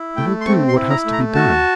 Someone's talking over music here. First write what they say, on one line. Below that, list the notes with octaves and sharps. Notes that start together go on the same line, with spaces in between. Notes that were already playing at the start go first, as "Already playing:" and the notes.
"I will do what has to be done."
Already playing: E4
A3 G5
C6
C4 C#6
C6
E4
A#5
A3
A#5
F#4 A5